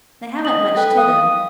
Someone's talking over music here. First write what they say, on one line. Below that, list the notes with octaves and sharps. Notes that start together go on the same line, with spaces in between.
They haven't much to them.
D#5 F#7
A4 B4 G5
F5 D#6